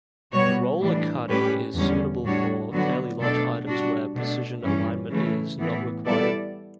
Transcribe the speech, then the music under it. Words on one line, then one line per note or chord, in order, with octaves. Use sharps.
Roller cutting is suitable for fairly large items, where precision alignment is not required.
B2 G3 B3 F#4 C#5
A2 E3 G3 D4
A2 G3 C#4 G4 B4
E2 D3 G3 C#4
A2 G3 D4 F#4 C#5
D3 F#3 B3 D4 F#4
B2 A3 D4 A4 D5
G3 D4 F#4
B2 A3 D4
G2 E3 G3 C#4
C#3 E3 A3
A2 E3 B3
G3 B3 E4 A4 D5